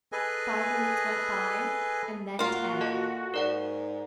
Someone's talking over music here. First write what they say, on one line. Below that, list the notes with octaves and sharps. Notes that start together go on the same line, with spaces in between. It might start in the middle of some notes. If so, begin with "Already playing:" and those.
Five minutes went by and then ten.
G#4 A4 B4 D#5 G#5
A#2 A#3 F4 F#4
A4 D#5 A5
G#2 A#4 D5 F#5